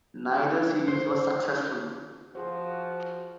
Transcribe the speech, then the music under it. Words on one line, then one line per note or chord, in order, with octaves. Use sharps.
Neither series was successful.
C5
F3 F4 F#4 G#4 C5